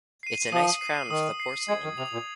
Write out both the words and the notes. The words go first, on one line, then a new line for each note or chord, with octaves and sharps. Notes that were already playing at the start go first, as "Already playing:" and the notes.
It's a nice crown for the porcelain.
C7 D#7
F3 D#6
C7 D#7
D#3 D#6
C7 D#7
G#3 G#6
D#3
C3 F7
A#2